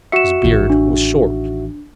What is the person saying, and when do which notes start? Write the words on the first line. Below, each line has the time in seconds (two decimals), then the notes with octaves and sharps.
His beard was short.
0.12 F#4 E5 C#7 E7
0.44 A1 D#3
0.70 D4